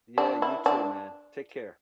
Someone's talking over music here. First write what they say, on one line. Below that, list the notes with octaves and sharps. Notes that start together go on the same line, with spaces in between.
Yeah, you too, man. Take care.
D4
E4
D4